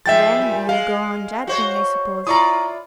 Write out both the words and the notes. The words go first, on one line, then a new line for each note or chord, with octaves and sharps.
"Then you'll go on judging, I suppose."
G#2 F3 G#3 E5 G5 A6
A#2 G3
G#3 F5
F#4 C5 C#5
E4 F4 D5 A#5 C#6 D#6